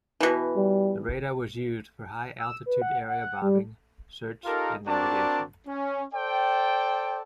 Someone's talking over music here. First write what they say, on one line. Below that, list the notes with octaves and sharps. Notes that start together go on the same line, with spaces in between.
The radar was used for high altitude area bombing, search and navigation.
B2 E3
G3
E6
B4
F#5
F#5
G3
D#4 F4 G4 A4 A#4
C4 D4 F#4 A#4 D5 A5
C#4
A4 C5 D5 G5